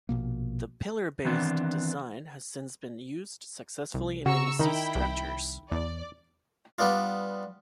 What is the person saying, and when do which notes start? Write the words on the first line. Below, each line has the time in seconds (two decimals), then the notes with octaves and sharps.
The pillar-based design has since been used successfully in many sea structures.
0.09 A#1 B2 A#3
1.25 D#3 E3 B3 C4 D4
3.94 C2
4.26 C#3 F#4 A#5 C#6 E6
4.59 D#3 D#4 E4 G5 B5
4.95 C2
5.72 E2 D5
6.78 G3 B3 D4 F4